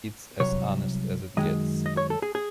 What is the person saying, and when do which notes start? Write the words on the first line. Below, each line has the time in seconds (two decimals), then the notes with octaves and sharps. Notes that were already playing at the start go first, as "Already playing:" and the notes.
It's as honest as it gets.
0.40 C2 C3 F#3 C#5
1.37 F#2 D#3 G#3 D#5
1.86 D#5
1.97 C#5
2.10 A4
2.22 G#4
2.35 G#4